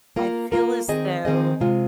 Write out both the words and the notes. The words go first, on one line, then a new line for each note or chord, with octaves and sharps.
I feel as though,
A#3 F4 A#4
A#3 F4 A#4
D#3 C4 G#4 D#5
D#3 C4 G#4 D#5
C3 G#3 F4